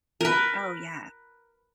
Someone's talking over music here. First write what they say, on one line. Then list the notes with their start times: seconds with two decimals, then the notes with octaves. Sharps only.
Oh, yeah.
0.21 A#4 B4